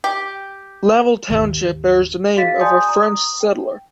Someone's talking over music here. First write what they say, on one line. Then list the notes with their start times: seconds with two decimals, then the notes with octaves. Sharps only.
Lavell Township bears the name of a French settler.
0.04 G4
1.29 G#1 D#2
2.37 F#4 G#4 D#5 F5 A6 B6
2.60 D5 G#5 A5 C6 D#6 G6
2.86 A#5 D#6
3.40 G5